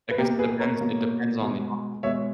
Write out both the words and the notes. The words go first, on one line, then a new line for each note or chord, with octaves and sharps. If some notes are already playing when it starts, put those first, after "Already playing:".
I guess it depends it depends on the, uh
B4
B2 A#3 G4 A#4
G#4 B4
A#4 C#5
B2 A#3
B2 G#3
B2 G#3 C#5 E5